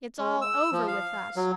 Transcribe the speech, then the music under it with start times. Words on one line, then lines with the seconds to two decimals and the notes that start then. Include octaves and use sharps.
It's all over with us.
0.19 G#3
0.42 E6
0.72 F3
0.87 F5
1.36 F#3